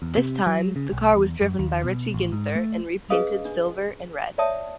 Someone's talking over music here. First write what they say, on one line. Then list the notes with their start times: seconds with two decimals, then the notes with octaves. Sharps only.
This time the car was driven by Richie Ginther and repainted silver and red.
0.02 E2
0.17 C3
0.46 F#3
0.76 C#3
0.92 B1
1.16 E2
1.41 F#2
1.59 D#2
1.84 B2
2.14 A1
2.32 G#2
2.55 A3
3.10 C#4 G#4 B4 D#5 F5 D#6
3.45 D4
4.38 C#5 D5 E5 G5 A5 D#6